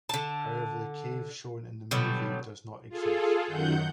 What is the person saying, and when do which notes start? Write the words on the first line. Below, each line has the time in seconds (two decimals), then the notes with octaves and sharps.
However, the cave shown in the movie does not exist.
0.09 D3 A5
1.91 B2 D3 F#3 G3
2.89 F4 G#4 A4
3.46 F#2 D#3 F#5 G6